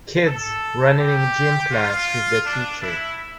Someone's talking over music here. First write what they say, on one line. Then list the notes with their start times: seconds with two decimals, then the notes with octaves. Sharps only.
Kids running in gym class with their teacher.
0.25 A4
0.98 G4
1.71 F4
2.44 D4
2.81 E4